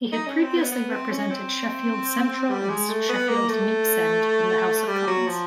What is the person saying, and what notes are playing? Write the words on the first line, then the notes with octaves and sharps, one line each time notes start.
He had previously represented Sheffield Central and Sheffield Neepsend in the House of Commons.
D#4
C#4
C4
B3
B3
C4
C#4
C4
G3
G#3
A3
B3
A#3
A3
G3
F#3
F3